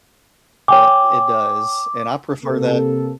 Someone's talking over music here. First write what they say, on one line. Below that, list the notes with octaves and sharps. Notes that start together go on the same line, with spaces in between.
It it does, and I prefer that.
C#5 G5 G#5 D6
C3 A#3 A4